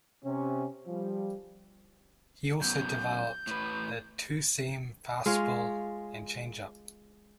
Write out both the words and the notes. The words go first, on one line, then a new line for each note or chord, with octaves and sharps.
He also developed a two-seam fastball and changeup.
C3 C#4
F3 G3
F#2 B2 G6
A2 B4
G#3 F4 C#5 F5